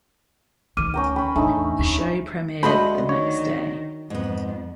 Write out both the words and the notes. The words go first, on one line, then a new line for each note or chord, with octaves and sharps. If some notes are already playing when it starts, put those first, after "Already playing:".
The show premiered the next day.
D2 D#3 D6 F6 D#7
C#4 A#4 G5
C#4 G5 B5
E2 A2 A3 D4 D#4 G#5
D#2
D2 G#3 A3 F#4 C5 D#5 B5
D#3 C#5
F2 G#2 B3